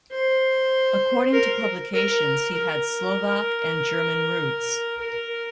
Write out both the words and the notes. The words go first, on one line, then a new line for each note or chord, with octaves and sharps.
According to publications, he had Slovak, and German roots.
C5
A#4
A#4
A#4
A#4